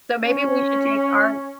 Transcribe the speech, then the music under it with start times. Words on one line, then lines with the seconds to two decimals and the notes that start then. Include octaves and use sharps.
So maybe we should take our
0.22 C#4